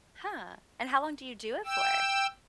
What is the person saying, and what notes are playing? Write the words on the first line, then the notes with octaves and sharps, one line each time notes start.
Huh, and how long do you do it for?
G5 E6